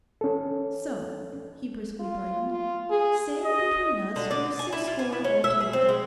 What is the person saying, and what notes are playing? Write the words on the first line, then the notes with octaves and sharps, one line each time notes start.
So,' he briskly brightened, 'say, between us we're six score all told.
C#4 A4
F4
F4
G#4
D#5
D3
D5
G#5
E4
F4
G#5
E4
C#4
E5
G#4
C4
G#3